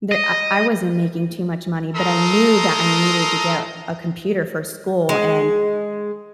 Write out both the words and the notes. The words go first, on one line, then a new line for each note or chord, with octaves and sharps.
there, I I wasn't making too much money, but I knew that I needed to get a computer for school, and
D#5
A3 A4 A#4 A#5 C6 D#6
G#3